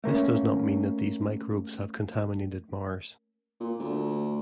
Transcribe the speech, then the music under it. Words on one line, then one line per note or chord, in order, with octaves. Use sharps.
This does not mean that these microbes have contaminated Mars.
A3 A#3 C4 C#4
A#2
D2